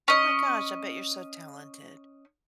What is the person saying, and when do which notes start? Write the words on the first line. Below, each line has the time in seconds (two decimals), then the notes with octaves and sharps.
Oh, my gosh. I bet you're so talented.
0.08 C#4 D#5